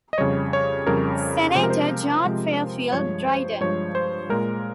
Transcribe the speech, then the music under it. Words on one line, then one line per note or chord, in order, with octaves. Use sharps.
Senator John Fairfield Dryden.
D#5
F2 C#3 G3 C#5
C#5
F2 C#3 G3 A#4
C3 F3 G#3 C5
A#4
C5
C3 F3 G#3
G2 F3 G#3 C#5
C5
G2 F3 G#3 C#5
C5
A#2 G#3 A#4